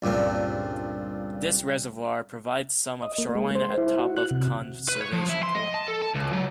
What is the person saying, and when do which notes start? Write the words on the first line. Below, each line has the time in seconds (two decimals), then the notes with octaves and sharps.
This reservoir provides some of shoreline at top of conservation pool.
0.02 C#2 G2 A#2 C4
3.02 D#5
3.18 A#3
3.35 G#3
3.55 C5
3.78 E4
3.99 F#4
4.17 F#6
4.31 C3
4.89 B4
5.01 C#5
5.13 F3
5.29 E4
5.43 C6
5.55 D#5
5.74 A5
5.88 A4
6.02 A5
6.15 C#2
6.33 F#3